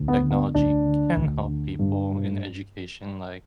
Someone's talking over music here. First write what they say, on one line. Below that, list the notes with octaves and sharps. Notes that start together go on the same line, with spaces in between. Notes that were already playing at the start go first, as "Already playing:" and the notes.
technology can help people in education, like,
Already playing: D2
B3
D3
B3
D2 D4
D3
D2
D3
G2